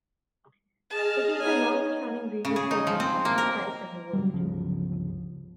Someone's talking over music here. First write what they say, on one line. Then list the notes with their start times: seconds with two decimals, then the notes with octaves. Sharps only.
It is the longest-running radio program of its type in the world.
0.90 G#4 D#5 A5 F6
1.40 B3 D#4 C#5 G#5
2.45 C#3
2.56 G#4
2.71 D#4
2.87 F3
3.00 C4
3.25 A#3
3.38 A#4
4.13 C#3 F#3 G3
4.34 G1 C#2 C#3 F3